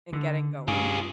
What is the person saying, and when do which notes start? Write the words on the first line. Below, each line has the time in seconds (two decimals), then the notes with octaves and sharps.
and getting going.
0.13 D3
0.68 G2 F4 G#4